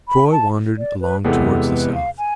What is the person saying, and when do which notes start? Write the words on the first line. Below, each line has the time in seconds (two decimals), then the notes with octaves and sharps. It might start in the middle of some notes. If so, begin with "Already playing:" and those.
Troy wandered along towards the south.
0.08 B5
0.32 A5
0.78 D5
1.01 B4
1.24 E2 C3 G#3 B3 A4
1.49 A4
1.72 B4
1.94 F5
2.18 G#5